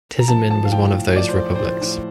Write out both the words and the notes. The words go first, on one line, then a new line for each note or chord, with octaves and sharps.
Tizimin was one of those republics.
A#5
F3 A5
F3 A5
F5
A2 G5
A2
F3 D5
C5
F3
A2 C5
A2